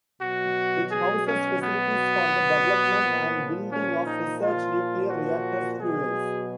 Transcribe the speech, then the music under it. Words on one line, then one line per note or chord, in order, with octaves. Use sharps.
It houses facilities for the development and building of research nuclear reactors fuels.
B2 F#3 F#4
G#4
C#4
B3
A#2 F3
C#4
D#4
F4
F#4
B2 F#3 G#4